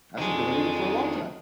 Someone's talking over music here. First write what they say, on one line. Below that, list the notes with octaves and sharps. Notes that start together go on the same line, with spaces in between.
Hasn't been illegal for a long time,
F2 D#3 G#3 D4 D#4 F#4